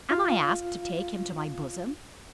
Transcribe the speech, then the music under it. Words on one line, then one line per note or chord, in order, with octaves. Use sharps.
Am I asked to take him to my bosom?
F4 F5